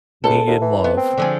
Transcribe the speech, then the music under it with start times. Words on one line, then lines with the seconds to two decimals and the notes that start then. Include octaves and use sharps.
need, and love,
0.24 C#2 A4
0.47 D#2
0.61 E3
0.84 B3
0.97 C4
1.18 D3 F3 G#4